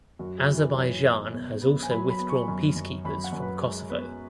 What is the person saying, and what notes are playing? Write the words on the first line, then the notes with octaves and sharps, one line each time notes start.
Azerbaijan has also withdrawn peacekeepers from Kosovo.
F#2 F#4
G#4
E3
B4
F#2 C#5
B3
B2
B3
G#5
F#3 B5
B5
B3
C#6
F#2
F#2
F#2 B5
F#5
F#2
B4
G#3
B3 B4